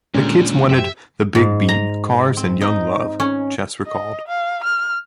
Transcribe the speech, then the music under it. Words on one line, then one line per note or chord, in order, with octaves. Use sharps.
"The kids wanted the big beat, cars and young love," Chess recalled.
D#2 A#2 D3 G3 G#3 C#4 D4
F#2 G4 C5 E5 G5
G#2
A#5
C4
D#4
C#4
D#5
F5
F6